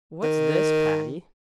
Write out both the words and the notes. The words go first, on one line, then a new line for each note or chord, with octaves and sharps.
"What's this, Patty?"
D#3